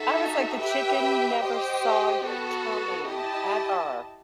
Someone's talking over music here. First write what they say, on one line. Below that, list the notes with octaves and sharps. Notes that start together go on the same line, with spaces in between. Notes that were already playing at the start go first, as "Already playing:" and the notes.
I was like, the chicken never saw your tummy ever.
Already playing: D#4 F#4 A4 E5
G4 B4 E5 G5
G4 C5 D#5 G5
B3 F#4 A4
E4 G4 D#5 A5